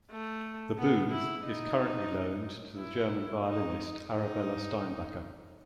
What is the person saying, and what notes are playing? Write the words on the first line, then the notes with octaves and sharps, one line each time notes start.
The "Booth" is currently loaned to the German violinist Arabella Steinbacher.
A3
B3
E4
D#4
E4
D#4
D#4